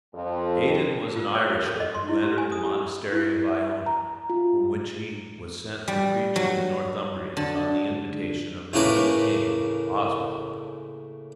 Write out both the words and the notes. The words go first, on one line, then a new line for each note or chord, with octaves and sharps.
Aidan was an Irishman who entered the monastery of Iona, from which he was sent to preach to the Northumbrians on the invitation of their good king, Oswald.
F2
F4
C#5
A#4
A4
D#5
C6
E4
G4
G#5
D#6
G4
E4
E5
A#5
F4
G3
F#3
D3
A2 C#3 A#3 B4 D6